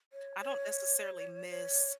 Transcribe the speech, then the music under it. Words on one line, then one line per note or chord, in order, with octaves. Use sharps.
I don't necessarily miss,
C#5
C#5
C#5